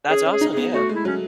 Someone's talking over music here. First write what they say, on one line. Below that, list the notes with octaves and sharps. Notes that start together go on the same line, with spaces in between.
That's awesome, yeah.
C#4 G#4
C#4
G#4
D#4
B3 G#4
A3 F#4
G#3
E4
F#3 C#4